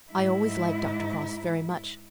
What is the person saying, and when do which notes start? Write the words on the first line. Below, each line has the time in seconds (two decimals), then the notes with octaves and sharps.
I always liked Dr. Crofts very much.
0.12 G#2 E4